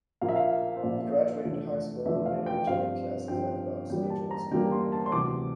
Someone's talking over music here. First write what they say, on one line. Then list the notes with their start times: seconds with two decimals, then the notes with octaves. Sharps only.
He graduated high school, and later attended classes at Los Angeles Community College.
0.21 A#1 A#2 F3 A#3 F5
0.29 E5
0.36 F5
0.76 C5
0.83 A#1 A#2 F3 A#3 D5
1.44 F1 E2 D3 F3 A3
2.05 F1 E2 D3 F3 A3 E5
2.26 F5
2.46 G5
2.67 G2 F3 C4 F5
3.28 G2 F3 C4 G5
3.90 E2 D3 G3 A#3 G5
4.10 A5
4.31 A#5
4.51 E2 D3 G3 A#3 G5
4.72 C6
4.92 A5
5.06 C6
5.12 D2 C3 E3 D6